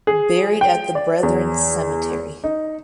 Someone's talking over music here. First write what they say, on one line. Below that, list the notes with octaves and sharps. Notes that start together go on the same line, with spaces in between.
Buried at the Brethren Cemetery.
G#4
G5
D5
E2
D#4